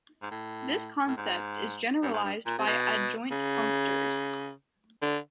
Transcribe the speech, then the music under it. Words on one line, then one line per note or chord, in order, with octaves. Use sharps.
This concept is generalised by adjoint functors.
G#2
A2
A2
G#2
G2
G#2
G2
A#2
C3
B2
C#3
D3